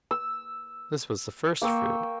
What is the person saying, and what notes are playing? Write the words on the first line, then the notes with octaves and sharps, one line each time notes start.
This was the first fruit.
E6
A#3 G5 C#6 E6